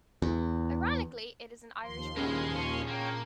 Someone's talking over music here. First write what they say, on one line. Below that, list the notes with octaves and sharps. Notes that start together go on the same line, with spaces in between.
Ironically it is an Irish pub.
E2
D#2 F3 C6
G2 A#2 C#3 G#3 G#4 B4
A#2 C#4 A5
A#3 C#5 G5